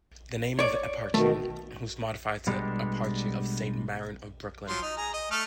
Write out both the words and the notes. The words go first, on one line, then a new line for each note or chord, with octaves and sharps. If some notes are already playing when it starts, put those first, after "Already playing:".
The name of the Eparchy was modified to Eparchy of Saint Maron of Brooklyn.
C#5 D5
B2 D#3 A3
B2 G3 G#3 D4 G4 A4
F3 F#3 C6
D#4
G#4 A#5
D#5
A3 A4 F6